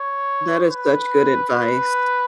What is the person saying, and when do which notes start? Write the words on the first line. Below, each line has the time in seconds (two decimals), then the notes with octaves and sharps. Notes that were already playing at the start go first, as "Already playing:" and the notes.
That is such good advice.
Already playing: C#5
0.70 B4
1.56 B4